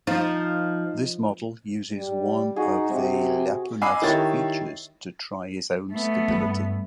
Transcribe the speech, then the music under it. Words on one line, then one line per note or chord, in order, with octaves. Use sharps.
This model uses one of the Ljapunov's features to try his own stability.
F3 D#4
G3
D#4 F#4 G#4
C3
D#5 G#5 B5 D6 E6 C7
D#3 E4 G4 C#5 A6
A3 B3
G2